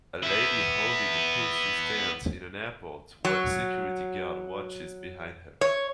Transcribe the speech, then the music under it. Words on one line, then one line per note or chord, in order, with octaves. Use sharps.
A lady holding a purse stands in an airport while a security guard watches behind her.
B3 E4
F#3
C#5